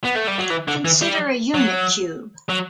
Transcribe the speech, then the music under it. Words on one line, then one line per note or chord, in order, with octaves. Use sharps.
Consider a unit cube.
B3
A3
G3
F#3
E3
D3
E3
G3
F#3
F#3